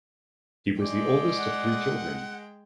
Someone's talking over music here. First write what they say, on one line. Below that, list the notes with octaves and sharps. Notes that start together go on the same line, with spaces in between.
He was the oldest of three children.
G#3 D5 G5
F#5